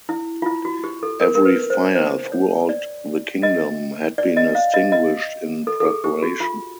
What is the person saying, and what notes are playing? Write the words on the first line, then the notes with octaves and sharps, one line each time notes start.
Every fire throughout the kingdom had been extinguished in preparation.
E4
F4
E4
F#4
G4
A4
A#4
A#4
B4
C5
C5
C#5
D5
D#5
D5
D#5
F5
D#5
D#5
A4
A4
G#4
G4
F#4
F4